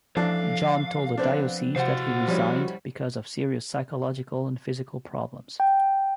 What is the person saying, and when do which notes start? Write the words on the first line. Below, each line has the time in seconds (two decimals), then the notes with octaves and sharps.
John told the diocese that he resigned because of "serious psychological and physical problems".
0.17 A1 F3 D4 A4 F5
1.17 B3 C4 D4
1.76 C3 F#4 C5 F5 F#5
2.28 F3 G3 C#4 E4
5.60 G5